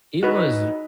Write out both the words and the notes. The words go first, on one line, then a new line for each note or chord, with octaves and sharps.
it was
D#4 F#4 G#4 B4 D#5